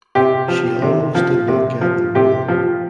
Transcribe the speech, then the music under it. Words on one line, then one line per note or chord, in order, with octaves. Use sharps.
She almost did not get the role.
C3 G4
F3
C3
F3
C3
F3
C3 G4
F3